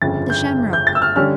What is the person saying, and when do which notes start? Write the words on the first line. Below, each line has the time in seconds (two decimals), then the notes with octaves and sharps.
The Shamrock.
0.02 G1 F2 C#3 A6
0.30 G6
0.73 G6
0.87 A6
0.95 E6
1.02 F6
1.16 D3 G3 C#4 F6